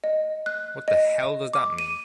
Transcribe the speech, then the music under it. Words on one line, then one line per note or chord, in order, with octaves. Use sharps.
What the hell does that mean?
D#5
F#6
D#5
D6
D#7